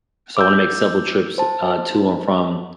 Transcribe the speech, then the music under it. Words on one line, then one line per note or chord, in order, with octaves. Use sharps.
So, I wanna make several trips, uh, to and from,
D6 E6 G6
C5 A5